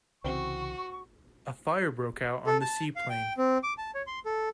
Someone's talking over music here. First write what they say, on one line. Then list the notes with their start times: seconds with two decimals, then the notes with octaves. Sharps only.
A fire broke out on the seaplane.
0.24 C2 C#3 E3 C4 F#4 C#6
2.46 A4
2.61 A5
2.96 F5
3.09 G5
3.37 C4
3.63 D6
3.78 A5
3.95 C#5
4.07 C6
4.26 A4